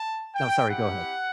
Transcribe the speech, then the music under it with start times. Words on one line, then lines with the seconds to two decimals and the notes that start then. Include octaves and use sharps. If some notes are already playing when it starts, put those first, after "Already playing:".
No, sorry; go ahead.
Already playing: A5
0.35 G5
0.69 C4 E4 G4 F#5